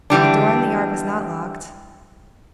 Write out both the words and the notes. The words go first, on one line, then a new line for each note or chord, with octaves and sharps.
The door in the yard was not locked.
D3 E3 G3 D4